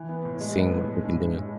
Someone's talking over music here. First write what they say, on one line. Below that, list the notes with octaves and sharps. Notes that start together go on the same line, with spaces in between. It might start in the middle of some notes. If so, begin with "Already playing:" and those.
seeing what we can do.
Already playing: E3
B3
A2
G#3
B3
A2
G#3
G2
G2
G#3